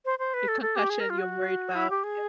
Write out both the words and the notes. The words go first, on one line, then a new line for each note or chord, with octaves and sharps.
A concussion you're worried about, yep.
C5
C5
B4
A4
A4
G4
G#4
A#4
F4
F#4
E4
G4
G#4